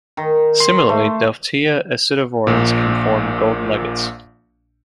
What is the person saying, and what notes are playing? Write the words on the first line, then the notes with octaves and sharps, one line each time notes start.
Similarly, Delftia acidovorans can form gold nuggets.
D#3
C6
A3
A#1 A#2